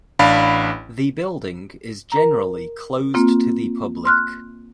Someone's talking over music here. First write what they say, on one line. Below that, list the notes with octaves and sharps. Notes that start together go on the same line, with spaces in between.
The building is generally closed to the public.
A1 D4 F5 B5
A#4 A#5
A#3 C4 F4
C6 F6 F#6